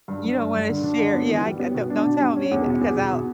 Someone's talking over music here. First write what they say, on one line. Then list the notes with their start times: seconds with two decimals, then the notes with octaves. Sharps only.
You don't wanna share, yeah, I don't don't tell me cause I'll
0.08 G2
0.24 G2
0.39 G2
0.54 G2
0.69 D3
0.83 D4
0.99 D3
1.14 B3
1.29 E3
1.45 G3
1.60 B3
1.75 B2
1.90 D4
2.06 B2
2.20 G3
2.36 C#4
2.51 E2
2.66 B2
2.81 E2
2.97 B2
3.12 B2